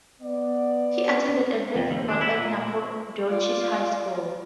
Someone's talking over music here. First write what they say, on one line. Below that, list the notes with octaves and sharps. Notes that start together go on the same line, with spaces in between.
He attended and played football at Nacogdoches High School.
B3 D5
F2
D#2
D4
E4
A#2
F4 D5